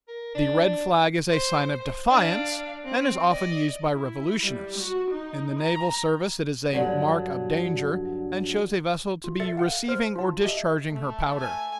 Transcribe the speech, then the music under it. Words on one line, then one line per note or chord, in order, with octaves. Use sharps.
The red flag is a sign of defiance, and is often used by revolutionists. In the naval service it is a mark of danger, and shows a vessel to be receiving or discharging her powder.
A#4
D4
C5
D4 F5
C4
D5 D#5
E4
G3
F#4
D#4
A#5
G2 A#2 D3 F#3
F4
A4 E5 A6 C#7
F5 F#5
C5 F6
F4 A5
G4 D#5 E5
A3
G#5